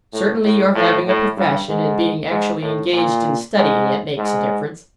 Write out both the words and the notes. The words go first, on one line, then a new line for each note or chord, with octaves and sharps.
Certainly, your having a profession, and being actually engaged in studying it, makes a difference.
A2
A2
A2
A2
G2
G#2
G#2
A2
A#2
G#2
G#2